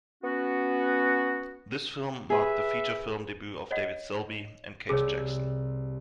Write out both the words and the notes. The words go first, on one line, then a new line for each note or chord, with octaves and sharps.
This film marked the feature film debut of David Selby and Kate Jackson.
B3 C#4 F#4
G#4 B4 E5
C#5 D#5 F#5
C2 C3 G#4 C#5